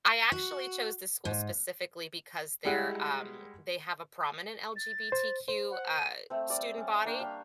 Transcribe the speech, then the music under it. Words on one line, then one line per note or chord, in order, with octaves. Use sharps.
I actually chose this school specifically because they're, um they have a prominent LGBTQ, uh, student body,
F#4
G#2
G3 G#3 E4 F#5
A6
C5
C5
F#5
D#7
A3 C4
G3 D5 D6
C#4
A#3 D4 G5 C#6
G3 G4 F5